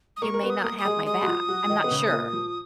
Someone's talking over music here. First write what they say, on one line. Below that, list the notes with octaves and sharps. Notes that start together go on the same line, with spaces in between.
you may not have my back. I'm not sure."
D#6
A#3 A#4 C#6
A#4
B3 B4
D#6
A#3 A#4
D#6
G#3 G#4
G#3 G#4 D#6
F#4
F3 F4
F#3 F#4
F4
D#3 D#4
B3
C#3 C#4
B3
A#2 A#3
F3